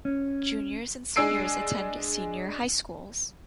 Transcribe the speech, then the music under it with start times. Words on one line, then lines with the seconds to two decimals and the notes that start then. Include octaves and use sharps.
Juniors and seniors attend senior high schools.
0.05 C#4
1.16 G#3 D4 G#5 E6 C7 D7